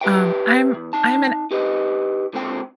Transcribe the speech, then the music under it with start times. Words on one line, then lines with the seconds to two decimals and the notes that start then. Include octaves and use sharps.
um I'm I'm an
0.01 G4 B4 E5 G5
0.74 E2
0.93 D#4 A5
1.51 D#4 G4 B4 D#5
2.33 C#2 A#2 D3 C4 G#4 G5